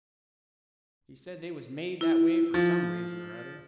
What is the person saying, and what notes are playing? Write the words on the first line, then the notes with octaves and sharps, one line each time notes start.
He said they was made that way for some reason or other.
E4
F3